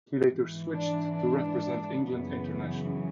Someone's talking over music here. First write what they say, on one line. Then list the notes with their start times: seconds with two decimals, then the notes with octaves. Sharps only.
He later switched to represent England internationally.
0.24 G#2 E3
0.70 D4
1.15 D4
2.05 F#2 C#3 E3 B3